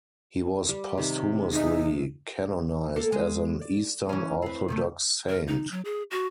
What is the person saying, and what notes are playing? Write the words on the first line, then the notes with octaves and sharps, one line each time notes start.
He was posthumously canonized as an Eastern Orthodox saint.
G3
C3 D#3
D#4 G#4 E5
A#3 A4 A#4
G#3
D5
E3 C#4
C4 B4
C3 D#3 A3
A#4
D#4
F#3
G#4
F#4